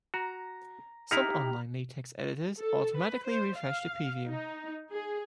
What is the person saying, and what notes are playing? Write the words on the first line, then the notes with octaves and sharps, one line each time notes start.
Some online LaTeX editors automatically refresh the preview.
F#4 A#5
D#4 E4 G4 A#5 B5 F6 F7
A4
B4
C5
F5
D#4
G#4